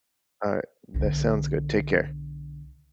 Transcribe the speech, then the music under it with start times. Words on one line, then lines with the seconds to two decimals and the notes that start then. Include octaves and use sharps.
Alright. That sounds good. Take care.
0.94 B1 D3